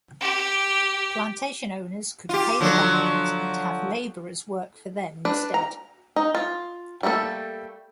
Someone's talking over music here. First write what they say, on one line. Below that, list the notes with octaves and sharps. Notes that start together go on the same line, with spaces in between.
Plantation owners could pay the government and have laborers work for them instead.
G4
F4 G4
D3 F3 F#3
D4 B4
A#5
D#4
F4
G3 A3 A#3 A4